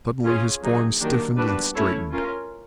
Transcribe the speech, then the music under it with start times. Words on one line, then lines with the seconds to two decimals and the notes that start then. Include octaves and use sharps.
Suddenly his form stiffened and straightened.
0.25 C#4 F4 G#4 C#5
0.62 D3 F#3 A#3 D#4 G#4
1.00 D#3 F#3 A#3 D4 G4
1.37 G3 B3 D4 F#4 B4
1.75 A3 C#4 E4 A4 C#5
2.12 C#4 F4 A#4